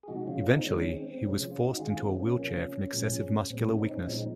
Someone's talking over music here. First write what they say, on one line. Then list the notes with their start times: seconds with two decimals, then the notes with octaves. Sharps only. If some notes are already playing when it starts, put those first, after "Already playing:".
Eventually he was forced into a wheelchair from excessive muscular weakness.
0.03 G#4
0.08 C3 F3 G#3 D#4 F#4
0.27 C#4 F4
0.46 C4 D#4
0.65 D#3 G#3 C#4
0.94 C4
1.14 C4
1.22 C3 F3 G#3 C#4
1.37 C#4
1.51 C#4 F4
1.65 D#4 F#4
1.79 D#3 G#3 F4 G#4
1.99 C4
2.17 C#4
2.36 C3 F3 A#3
2.93 A#2 F3 G#3
3.50 A#2 G#3 C4
3.64 C#4
3.79 C4 D#4
3.93 C#4
4.07 A#2 F3 G#3 C4 D#4